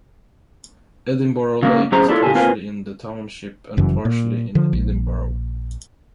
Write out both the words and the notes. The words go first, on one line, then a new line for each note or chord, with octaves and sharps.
Edinboro Lake is partially in the township and partially in Edinboro.
C#3 A#3 C#4
F#2 A2 C#4 G#4 C5 A#5
D4 E4 F4 A4 C#5
A2 C#3 G4 G#5 A5
A#3 C4 F4 B4 G#5
G1 F#2 C#3 E3
A#2
D3 F3
A#1